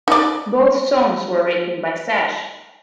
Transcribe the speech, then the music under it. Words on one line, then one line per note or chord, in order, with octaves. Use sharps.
Both songs were written by Sash!
D#4 D5